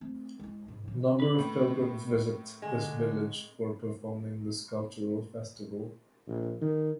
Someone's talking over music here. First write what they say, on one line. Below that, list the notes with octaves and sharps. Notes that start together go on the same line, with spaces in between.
Number of pilgrims visit this village for performing this cultural festival.
A3 C4
G#3 E4
G#2
A2 E3
B4 B5
A2
D3 G#3
A#1
D#3